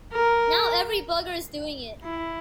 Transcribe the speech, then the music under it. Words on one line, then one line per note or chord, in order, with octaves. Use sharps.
Now every bugger's doing it.
A#4
E4